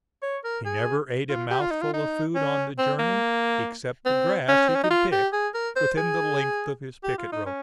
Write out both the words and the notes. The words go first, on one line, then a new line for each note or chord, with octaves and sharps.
He never ate a mouthful of food on the journey except the grass he could pick within the length of his picket rope.
C#5
A#4
G#4
F4
G4
F4
D#4
F4
D#4
C#4
C4
A#3
C4
C#4
C4
C#4
D#4
F4
G4
G#4
A#4
C5
G#4
G4
F4
D#4
C#4